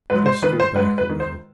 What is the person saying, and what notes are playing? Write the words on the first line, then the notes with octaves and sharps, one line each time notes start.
Let us go back a little.
G#2 B4
C5
D#3 B4
C5
G#2 B4
B4
D#3
C5